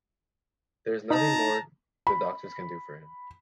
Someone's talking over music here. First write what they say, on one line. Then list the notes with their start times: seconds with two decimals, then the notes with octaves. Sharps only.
There is nothing more the doctors can do for him.
1.11 D#4 A5 A#5
2.07 B5